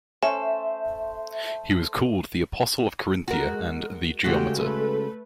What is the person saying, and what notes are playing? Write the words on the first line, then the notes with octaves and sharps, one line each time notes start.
He was called "the Apostle of Carinthia" and "the geometer".
A3 C#4 C5 E5
G#3 F#4 A#4
C#3 G#3 A3 F#4 G4 G5
A3 A4 B4